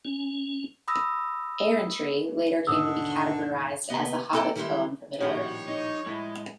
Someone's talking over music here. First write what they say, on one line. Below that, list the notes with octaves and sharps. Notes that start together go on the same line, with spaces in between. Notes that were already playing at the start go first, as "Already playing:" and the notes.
"Errantry" later came to be categorised as a Hobbit poem from Middle-earth.
C#4
B5 D#6 E6 A#6
D#2 G#2 B2 D3 D#6 E6
D#2 C3 B3 B4 D#5
A#3 C4 A4 D#5 G5 A#5
D#3 G3 G#3 E4 C5
A#1 A2 D#3 F3 G3 F#4 G4 C#5
D#4
A2 G#3 E4